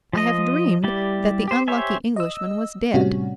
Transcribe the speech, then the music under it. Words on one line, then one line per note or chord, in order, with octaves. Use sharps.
I have dreamed that the unlucky Englishman was dead.
F3 D#5
G3 E4 G4 D5
G4 C5
G4 C5 C#5 E5 G#5
D#5 E6
A2 C3 G3 C#4 F#4